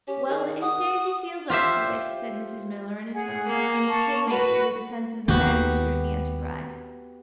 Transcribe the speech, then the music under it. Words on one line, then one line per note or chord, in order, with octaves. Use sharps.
"Well, if Daisy feels up to it--" said Mrs. Miller, in a tone impregnated with a sense of the magnitude of the enterprise.
C#4 G4
D#3 G#4
F#4 D#6
F4 G4 C5 E5
G#4 F#5
A#3
A5 C#6
F#4 B4 B5
D#2 D#3 A#3 B3 F#4 G4